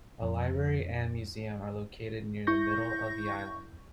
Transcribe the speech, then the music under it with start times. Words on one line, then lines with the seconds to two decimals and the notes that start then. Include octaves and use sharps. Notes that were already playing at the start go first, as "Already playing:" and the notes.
A library and museum are located near the middle of the island.
0.22 F2
2.47 E4 C#6 G6 A#6